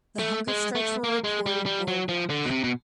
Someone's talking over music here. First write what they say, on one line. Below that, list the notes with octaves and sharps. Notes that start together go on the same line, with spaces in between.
The hunger strikes were reported worldwide.
A3
G#3
A3
A#3
G#3
G3
G3
F#3
F3
D3
B2
C3
B2